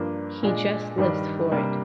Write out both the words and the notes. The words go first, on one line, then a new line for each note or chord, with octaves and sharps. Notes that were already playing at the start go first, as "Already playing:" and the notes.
He just lives for it.
Already playing: G2 F3 A#3 D4
A#2 G#3 D4
G2 D#3 G3 D4
C3 G3 A#3 D4